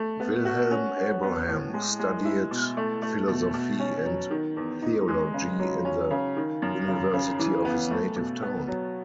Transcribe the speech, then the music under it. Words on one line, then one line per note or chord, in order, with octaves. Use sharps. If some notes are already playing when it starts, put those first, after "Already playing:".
Wilhelm Abraham studied philosophy and theology in the university of his native town.
Already playing: A3
B3
F#4
C#4
C#4
B3
A2
G#3
G#3
E4
B2
A3
A3
B2
B2
C#4
F#3
D#3
E2
D#4
G#3
C#3
F#3
C#4
C#3
D#3
F#2
C#3
C#3
E3
B3
A3
B2
B3
F#3